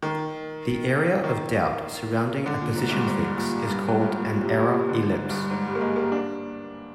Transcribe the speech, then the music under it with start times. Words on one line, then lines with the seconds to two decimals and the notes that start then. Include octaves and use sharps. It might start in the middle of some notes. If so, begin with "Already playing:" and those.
The area of doubt surrounding a position fix is called an error ellipse.
0.02 D#3
1.24 D#3
2.46 D3
2.61 A#2
2.76 G#2
2.87 G#2
2.91 G2
3.06 G#2
3.37 A#2
3.67 G2
3.88 G#2
4.02 G#2
4.08 A#2
4.28 A#2
4.43 C3
4.59 A#2
4.74 C3
4.89 D3
5.10 G#2
5.30 G2
5.50 G#2
5.66 G3
5.75 A#3
5.81 G#3
5.96 A#3
6.12 D4